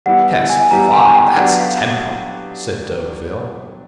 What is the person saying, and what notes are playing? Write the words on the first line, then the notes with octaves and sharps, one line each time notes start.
"Tess--fie! that's temper!" said d'Urberville.
G3 B3 E4 G4 F#5
G#5
G3 B3 E4 G4 A#5
G#5
G5
F#3 B3 D4 G4 F#5
F5